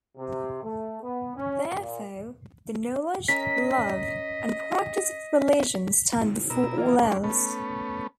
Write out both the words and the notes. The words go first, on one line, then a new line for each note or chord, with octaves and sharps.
Therefore, the knowledge, love and practice of religion stand before all else.
C3
A3
B3
C#4
A#2
C#4 A#4 D#5 B6
B2 A#4 E6
E3 A#3 F4
G#3 C#4 D4
A3 B3 C#4